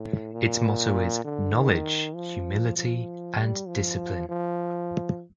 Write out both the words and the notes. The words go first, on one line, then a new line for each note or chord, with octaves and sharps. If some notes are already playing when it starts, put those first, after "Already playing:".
Its motto is "Knowledge, Humility and Discipline".
Already playing: A2
A#2
D3
D#3
F3
F3
G3
F3
F3